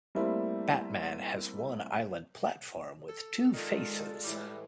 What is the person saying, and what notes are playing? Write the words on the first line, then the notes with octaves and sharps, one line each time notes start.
Batman has one island platform with two faces.
G3 A3 A#3 C4 E4
A4
D#3 G#3 F4 A4 D5
A2 E3 G3